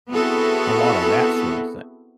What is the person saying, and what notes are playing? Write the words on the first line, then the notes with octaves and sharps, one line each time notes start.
a lotta that sort of thing.
B3 C4 E4 F#4 G#4 A4